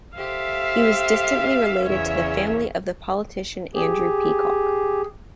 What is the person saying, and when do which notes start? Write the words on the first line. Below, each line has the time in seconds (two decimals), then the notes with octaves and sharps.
He was distantly related to the family of the politician Andrew Peacock.
0.17 G4 A4 C5 E5 F5
1.85 E2 C#3 C#5 E5
3.75 G4 G#4